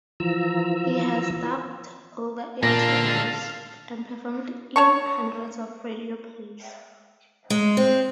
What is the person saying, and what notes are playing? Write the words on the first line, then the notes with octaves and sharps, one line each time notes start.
He has dubbed over eighty roles and performed in hundreds of radio plays.
E3 F3 F4 A#5 E6
A#2 D4 A4 F5 A5 A#6
C#5 A5 C#6
G#3
C4